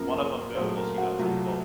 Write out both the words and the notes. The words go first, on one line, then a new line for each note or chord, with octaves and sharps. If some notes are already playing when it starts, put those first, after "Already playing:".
one of them goes, you know, it's like, "Well,
Already playing: F#2 F3 A#3 A#4
A#2 F#3 A3 C5
A#4
F#4
C2 C3 F#3 A3 F4